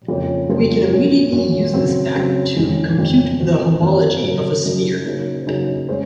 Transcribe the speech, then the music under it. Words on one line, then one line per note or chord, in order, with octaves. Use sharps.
We can immediately use this fact to compute the homology of a sphere.
F2 C#3 F3 A#3 C#4
F2 C#3 F3 A#3 C#4
A#2 F#3 C#4
A#2 F#3 C#4
C#3 F#3 C4
C#3 F#3 C4
F2 C#3 G#3
F2 C#3 G#3
A#2 F3 C4 F#4 C5
A#2 F3 C4 F#4 C5
F#2 C#3 F#3
F#2 C#3 F#3
C#3 F#3 A#3 D#4 G#4
C#3 F#3 A#3 D#4 G#4
G#3 C#4 G#4 C5